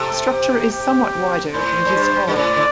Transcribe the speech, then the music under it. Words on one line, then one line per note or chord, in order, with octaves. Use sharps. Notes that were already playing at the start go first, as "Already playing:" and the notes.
The structure is somewhat wider than it is tall.
Already playing: C3 A4
G4
G4
A2 C5
A2
G2
G2
A2 D5
D3